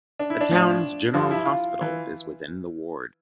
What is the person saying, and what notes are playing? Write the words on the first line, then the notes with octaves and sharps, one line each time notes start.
The town's General Hospital is within the ward.
D4
E4
D4
A2 F3
G2 F3
E4
F4
E3